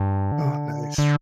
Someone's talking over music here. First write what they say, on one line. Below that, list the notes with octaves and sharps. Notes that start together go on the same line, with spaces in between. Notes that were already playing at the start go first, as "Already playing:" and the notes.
Oh, nice.
Already playing: G2
D3
D3